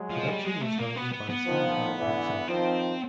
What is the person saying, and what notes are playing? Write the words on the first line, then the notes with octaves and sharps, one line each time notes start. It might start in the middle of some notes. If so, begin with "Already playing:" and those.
Production was handled by Steve Earle himself.
Already playing: F#3 G#3
F3
G3
G#3
A3
A#3
B3
B3
B3
D#3 F3
D3 E3
D#3 F3 C4